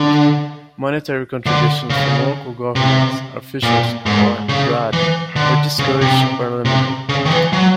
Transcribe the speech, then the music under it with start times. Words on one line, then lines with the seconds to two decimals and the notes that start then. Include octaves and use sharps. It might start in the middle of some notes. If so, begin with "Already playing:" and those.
Monetary contribution from local government officials or abroad were discouraged or limited.
Already playing: D3
1.46 D3
1.90 C#3
2.76 C3
3.63 A#2
4.06 G#2
4.49 C#3
4.93 E3
5.36 D3
5.79 C#3
6.01 C3
6.65 C3
7.09 C#3
7.26 D#3
7.31 E3
7.53 F#3